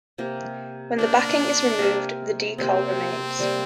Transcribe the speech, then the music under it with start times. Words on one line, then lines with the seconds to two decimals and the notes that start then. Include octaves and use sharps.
When the backing is removed, the decal remains.
0.18 C3 A#3 G4 A#4
0.98 C3 A#3 D4 G4 A#4
1.78 C3 A#3 G4 A#4
2.58 C3 A#3 C4 G4 A#4
3.39 C3 G3 A#3